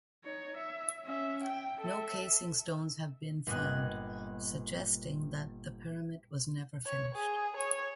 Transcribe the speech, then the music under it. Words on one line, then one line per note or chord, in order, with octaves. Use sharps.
No casing stones have been found, suggesting that the pyramid was never finished.
D#4 C#5
E5
C#4 E5
G5
A4 E5
G1 A#2 B3 D#5 G#5 F#6
C#5
G#4
C#5